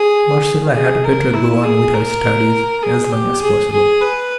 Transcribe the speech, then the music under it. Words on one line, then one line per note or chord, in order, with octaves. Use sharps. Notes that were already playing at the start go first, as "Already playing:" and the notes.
Marcella had better go on with her studies as long as possible.
Already playing: G#4
G#4
A#4
E4
G#4
A#4
G#4
G4
G#4
G#4
B4